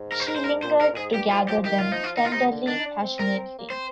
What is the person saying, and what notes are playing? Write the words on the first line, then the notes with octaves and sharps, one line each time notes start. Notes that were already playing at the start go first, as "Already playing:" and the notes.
She lingered to gather them, tenderly, passionately.
Already playing: G#2
A#4
C5
A#4
C5
A#4
A#2 C5
G#2 A#4
A#2
G#2 G#4
G2 G4
A#2
G#2 F4
F3 G4
D#3 G4
F4
F3 D#4
F4
D#3 D#4
F4
C3 D#4
D3
D#3 D4
D#4
D4
C4
A#4
A#3
C4 C5